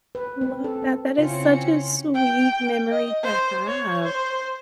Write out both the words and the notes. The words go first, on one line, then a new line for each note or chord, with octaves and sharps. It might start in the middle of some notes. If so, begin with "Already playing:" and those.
Love that, that is such a sweet memory to have.
B4
C4
A4
C4
C#3 C4 C#4 E4 F4 C#7
G5
D#5
C5
C#5
C5